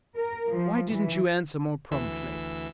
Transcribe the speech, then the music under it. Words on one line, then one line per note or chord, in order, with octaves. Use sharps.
Why didn't you answer more promptly?
A#4
F3
E3
D2 E3 E6